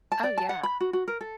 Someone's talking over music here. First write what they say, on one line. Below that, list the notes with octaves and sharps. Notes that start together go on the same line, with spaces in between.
Oh, yeah.
A5
D5
A5
F#5
B5
F#4
F#4
A#4
A4